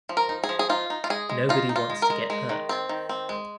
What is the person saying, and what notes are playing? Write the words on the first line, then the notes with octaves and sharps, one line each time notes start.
Nobody wants to get hurt.
F3
A#4
D#4
G#4
F3
G#4
D#4 F4
D#4
F4
G#3 G#4
G#3
D#4 F4
D#4
F4
G#3
A#4
G#3
G#3
D#3
C4
D#3
C4
G#3